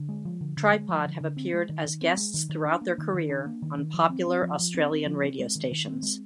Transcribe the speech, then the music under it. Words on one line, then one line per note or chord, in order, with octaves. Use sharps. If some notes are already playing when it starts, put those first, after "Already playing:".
Tripod have appeared as guests throughout their career on popular Australian radio stations.
Already playing: D3
G#3
F3
D3
D3
G#3
F3
D3
D3
C4
G#3
D#3
D#3
C4
G#3
D#3
D#3
D4
A#3
D#3
D#3
D4
A#3
D#3
D#3
F3
C4
C4
F3
F3
C4
C4
F3
C4
G#3
D#3
D#3
C4
G#3